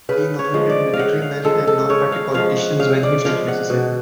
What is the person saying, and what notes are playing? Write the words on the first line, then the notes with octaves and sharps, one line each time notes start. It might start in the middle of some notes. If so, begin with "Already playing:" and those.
He nominated military men and non-party politicians when he felt necessary.
C#3 B4
C#5
F3 G#3
D5
F5
C#3 F#5
F5
F3 G#3 A4
A4
C#3 C#5
F5
F3 G#3 F5
F#5
C#3 F5
D5
F3 G#3 F5
F#5
B2